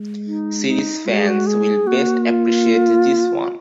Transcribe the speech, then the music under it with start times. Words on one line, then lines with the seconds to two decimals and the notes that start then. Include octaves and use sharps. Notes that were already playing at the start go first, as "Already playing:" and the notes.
Series fans will best appreciate this one.
Already playing: G#3
0.26 D#4
0.67 D#4
1.06 G#3 F#4
1.17 G#4
1.28 F#4
1.47 G#4
1.87 A#3 F#4
2.27 F4